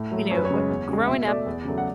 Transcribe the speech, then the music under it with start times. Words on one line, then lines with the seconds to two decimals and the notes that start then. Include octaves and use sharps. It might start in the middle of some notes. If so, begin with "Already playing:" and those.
you know, uh, growing up
Already playing: A2
0.11 F#3 A3
0.30 F#2 C#5
0.37 B4
0.45 C#5
0.50 C#3 G#3
0.69 E2
0.89 C#3 G#3
1.07 B2 E5
1.27 A3 D5
1.46 E2
1.65 C#3 F#3 A3
1.78 F#5